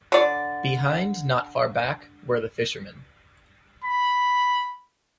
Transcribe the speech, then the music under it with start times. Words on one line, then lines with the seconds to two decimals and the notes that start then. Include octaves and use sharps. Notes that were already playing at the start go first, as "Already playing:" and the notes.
Behind, not far back, were the fishermen.
0.12 D3 D5
3.84 B5